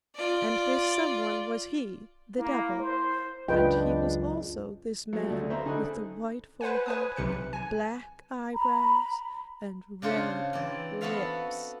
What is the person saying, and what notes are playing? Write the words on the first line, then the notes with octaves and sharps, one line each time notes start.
And this someone was he--the devil--and he was also this man with the white forehead, black eyebrows, and red lips.
F4 D5
A#3 E4
C5
C#2 F#2 D4 F4 G#4 B4 D#5 G5
F3 F#3 A3
D2
C4 C5 E5 A#5 B5 C#6
D3 D#4 A4 G#5 D#6 F#6
B4 C5 F#5 G#5
B4 G#5 D#6
B1 C3 B4 C#7
G#5
A#5 B5
C#3 D4 F4 C5 F#5
E3 C4 D5
B3 F#4 A4 E5 F5 A5